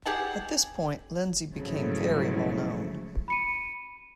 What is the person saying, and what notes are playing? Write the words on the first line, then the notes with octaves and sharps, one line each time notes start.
At this point, Lindsay became very well known.
G4 G#4 F#5 A5
G#2 C#3 F3 F#3 A3 E4
B5 C#7 D#7